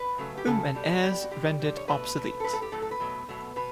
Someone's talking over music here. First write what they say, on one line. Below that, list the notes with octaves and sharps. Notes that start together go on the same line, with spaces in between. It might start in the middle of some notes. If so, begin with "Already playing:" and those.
Um's and Er's rendered obsolete.
Already playing: B4
C#3 F#3 A3
G4
C#3 F#3 A3 A4
B2 G3
B2 G3 G4
F#4
D3 G3 G4
D3 G3
C#5
B2 A3 B4
B2 A3
A4
A2 F#3 A3 B4
A4
G4
A2 F#3 A3 A4
A4
B4
B2 F#3 A3
B2 F#3 A3
B2 B4